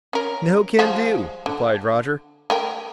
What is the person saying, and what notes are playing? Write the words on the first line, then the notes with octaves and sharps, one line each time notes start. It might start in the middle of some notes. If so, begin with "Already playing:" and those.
"No can do," replied Roger.
C#4 A#4
F3 G3 G#3
D3
A3 A#4 G5